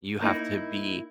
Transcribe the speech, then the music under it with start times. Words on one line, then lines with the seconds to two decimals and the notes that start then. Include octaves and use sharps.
you have to be
0.22 A#3 D#4 E4